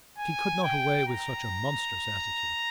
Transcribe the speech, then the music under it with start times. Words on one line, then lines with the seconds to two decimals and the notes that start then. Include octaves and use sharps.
But he could not away with such a monstrous attitude.
0.18 G#5
0.64 G5
1.08 A#5